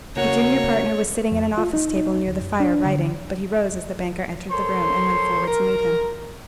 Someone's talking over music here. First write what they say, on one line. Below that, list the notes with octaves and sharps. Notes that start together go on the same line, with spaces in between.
The junior partner was sitting at an office table near the fire writing, but he rose as the banker entered the room, and went forward to meet him.
C#3 A#3 F#4 C#5
F2
F4
D#4
D#4
D2
F#2
D4
D3
A4 A#4 C5 C#5 C6
A#4